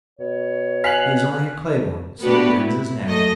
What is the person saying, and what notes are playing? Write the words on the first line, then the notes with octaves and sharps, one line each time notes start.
He is only a clay-born; so he bends his neck.
B2 C#5
F5 G#5 F6 F#6 B6 C7
A3 B3 D4 F#4 G4 B4
E4
F#2 F#3 A3 D#5